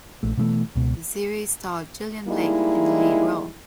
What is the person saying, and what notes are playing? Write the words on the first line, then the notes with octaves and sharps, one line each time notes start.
The series starred Gillian Blake in the lead role.
A#1 A3
B2 E3 G#3 A3
C#2 B2
G3 G#3 A#3 D#4 E4